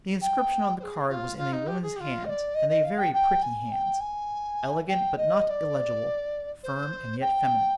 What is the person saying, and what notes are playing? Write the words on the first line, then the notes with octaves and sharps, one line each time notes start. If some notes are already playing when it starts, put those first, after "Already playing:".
The inscription on the card was in a woman's hand, and a very pretty hand--elegant but not illegible, firm and yet feminine.
G5
C5
G#4
F4
F4
D#4
G4
G#4
G4
F4
D#5
D5
D#5
D#5
F5
G5
G5
G#5
G5
G#5
G5
D#5
D#5
D5
C5
G5